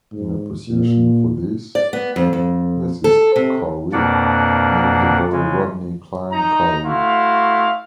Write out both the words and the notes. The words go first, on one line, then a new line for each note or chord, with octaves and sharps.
In appreciation for this, Mrs. Carew named the boy Rodney Cline Carew.
G#2
A#2
D5
B3
F2
F2
A4
C3
F2 B2 A#3 D4 D5 F#5
C#3 G#3
D#4 A#5
A3 E4 F#4 F5 C6